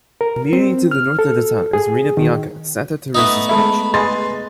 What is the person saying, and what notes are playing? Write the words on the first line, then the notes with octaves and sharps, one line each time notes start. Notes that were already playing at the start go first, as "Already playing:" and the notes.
Immediately to the north of the town is Rena Bianca, Santa Teresa's beach.
A#4
C4
F6
A4
G#4
D#3
A3 B3 D#4 D#6
G#3 A4 E5 B5
G#4 B4 D#5 C6 A6